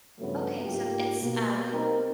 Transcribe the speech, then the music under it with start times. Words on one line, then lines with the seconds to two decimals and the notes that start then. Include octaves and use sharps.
Okay, so it's, um
0.19 G2 C#3 F3 F#3 A3 B3
0.65 G#2 A#3 F4 G4
1.20 B2 A#3
1.71 A#3 C4 D#4 G4 A#4